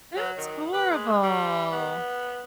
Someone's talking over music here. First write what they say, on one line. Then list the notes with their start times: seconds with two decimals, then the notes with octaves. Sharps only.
That's horrible.
0.17 F#3
0.37 D#3
0.73 B4
0.90 G#3
1.23 G3
1.72 B3